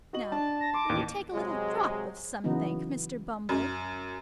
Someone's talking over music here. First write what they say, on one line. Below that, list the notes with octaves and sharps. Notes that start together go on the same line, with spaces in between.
Now, will you take a little drop of somethink, Mr. Bumble?'
F#4 D#5 F#7
D4 A5
A#6
C6 D6
A1 D#2
C3 F#3 G#3
C#3 E3 F#3 B3 D#4
F#2